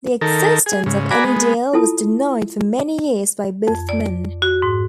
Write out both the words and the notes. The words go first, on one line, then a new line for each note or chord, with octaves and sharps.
The existence of any deal was denied for many years by both men.
D#3 A4 A#4
G#4
G#2 C#3
F#4 D5 G#5 A#5 B5
G#3 B3
E4 F4 A4 A5 D#6
F2
D5
F#4
G#2